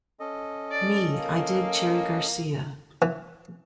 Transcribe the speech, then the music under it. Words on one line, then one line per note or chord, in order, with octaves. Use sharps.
Me, I dig Cherry Garcia.
C#4 A4 D#5
D5
A#3
E3